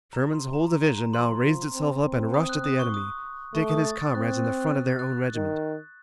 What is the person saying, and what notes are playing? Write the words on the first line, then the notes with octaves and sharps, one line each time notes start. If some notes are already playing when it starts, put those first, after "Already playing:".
Sherman's whole division now raised itself up and rushed at the enemy, Dick and his comrades in the front of their own regiment.
A#5
C6
A#5
A#5
A#5
A#5
F3 C6
F3
C4
C4
D#6
F#6
D#6
C#6
D#6
A3 C#6
D#6
A6
A6
C4 F#6
F#6
F#6
F#6
F#6
A6
F#6
D#3